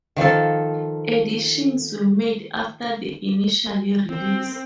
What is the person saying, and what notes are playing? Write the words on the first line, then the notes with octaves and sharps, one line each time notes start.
Additions were made after the initial release.
D#3 F3 D#4 A4
C4